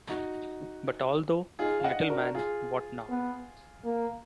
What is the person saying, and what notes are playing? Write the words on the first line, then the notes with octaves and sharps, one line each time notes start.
But, although Little Man, What Now?
D#4 F#4
D#4 F4 G#4
F5
D#5 F#5
D4
F#4 A#4
F4 G#4
B3
A#3